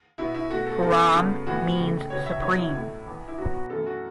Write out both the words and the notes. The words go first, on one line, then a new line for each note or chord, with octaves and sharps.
'Param' means 'Supreme'.
B2 B3 E4
E4
B2 A3 F#4
A4
F#2 F#3 B3 A4
F#2 C#3 F#3 B3
A2 E3 B3 F#4
C#2 C#3 A3
C#2 B2 B3 C#5
E5
E2 B2 F#3 B3 C#5
E4
A2 A3
E2 E3 B3
E4
B2 F#3 B3 F#4
F#4
F#2 E3 A3 A4
F#4